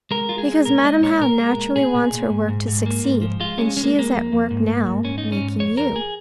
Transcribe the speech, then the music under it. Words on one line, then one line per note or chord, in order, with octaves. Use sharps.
Because Madam How naturally wants her work to succeed, and she is at work now making you.
G#3 A#4
G#3 F4
G#4
G#3
A#2 A#4
G#3 D#5
A#2 C#5
A#2 A#4
G#3
A#2
A#2 G#4
A#2
A#2
G#2
G#2
G#2
A#3
G#2
F3
G#3 F4
G#3 C#4
G#3 C#4
A#3
G#3 A#3
F2
F2
G#2
G#2
G#2
G#2 C#4
G#2 D#4
C#4
G#2
F2 C#5
F2 A#4
G#4